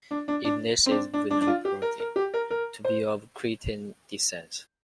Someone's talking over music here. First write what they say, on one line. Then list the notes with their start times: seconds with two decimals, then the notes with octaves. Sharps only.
Ignatius was reported to be of Cretan descent.
0.11 D4
0.28 D4
0.45 D4
0.86 C4
0.91 D4
1.14 D4
1.31 D4
1.41 D4
1.47 F4
1.65 G4
1.82 A#4
2.00 A#4
2.16 G4
2.34 A#4
2.50 A#4
2.85 C5